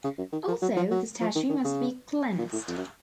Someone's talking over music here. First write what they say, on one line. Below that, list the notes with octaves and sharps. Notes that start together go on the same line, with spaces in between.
Also, the statue must be cleansed.
C#3
F#2
D#3
F3
F#3
F3
F#3
F3
D#3
D#3
C#3
A#2
A2
F2
F#2